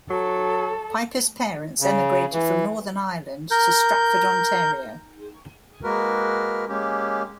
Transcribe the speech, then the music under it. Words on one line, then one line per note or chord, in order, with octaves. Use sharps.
Pyper's parents emigrated from Northern Ireland to Stratford, Ontario.
F#3 A4
C#3
E3
A#4 G6
G#3 A#3 F#4 A#4 B4
G#3 A#3 C#4 G4